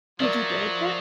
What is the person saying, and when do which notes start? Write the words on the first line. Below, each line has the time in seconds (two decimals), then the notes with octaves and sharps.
Did you build it?
0.20 F3 F#3 A#4 D5 E5